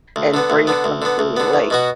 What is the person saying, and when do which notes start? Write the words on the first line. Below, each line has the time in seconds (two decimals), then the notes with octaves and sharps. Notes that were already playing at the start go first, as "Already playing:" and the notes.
and bring something," like,
0.16 D2
0.34 D3 B3
0.50 D2
0.67 D3 B3
0.84 D2
1.02 D3 B3
1.19 D2
1.37 D3 B3
1.54 E2
1.70 B2 B3 F#4